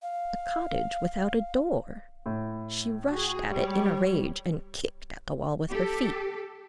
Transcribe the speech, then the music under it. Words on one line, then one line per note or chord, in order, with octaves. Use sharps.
A cottage without a door!--she rushed at it in a rage and kicked at the wall with her feet.
F5
A2
F#4 G#4
G3 C#5
G4 A4